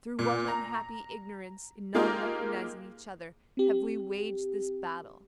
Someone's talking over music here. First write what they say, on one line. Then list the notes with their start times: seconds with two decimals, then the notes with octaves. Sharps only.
Through what unhappy ignorance in not recognising each other have we waged this battle!
0.19 A#2
0.48 A#5
1.95 G#3 A#3 D#4 F4 G4 A#4
3.57 C4 G4